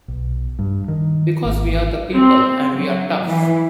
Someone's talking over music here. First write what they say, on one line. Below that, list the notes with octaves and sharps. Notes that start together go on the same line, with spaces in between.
Because we're the people and we're tough!
B1
G2
D#3
G#1
C4
F#3
E3